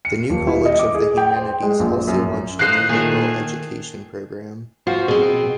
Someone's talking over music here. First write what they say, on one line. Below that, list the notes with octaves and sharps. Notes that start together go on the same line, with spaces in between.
The New College of the Humanities also launched a new liberal education programme.
C#7
D#1
E4
D#5
D6
G#4
G5
C5
G#3
A#1
F#2
A#3 D#4 C5 F#6 C7
A#2 D#3 A3 G#4
F4 F#4 C5 F5
B2 C4 G#4